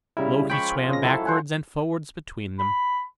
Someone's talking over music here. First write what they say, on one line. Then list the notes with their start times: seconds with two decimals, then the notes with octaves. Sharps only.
Loki swam backwards and forwards between them.
0.17 C#3 G3 E4 A#4
0.50 F3 G#3 C#4 G5 B5 C#6
0.89 C#3 D#5 A#6
1.03 F#3 E4 A4
1.25 C5 F#5 G#5
2.59 B5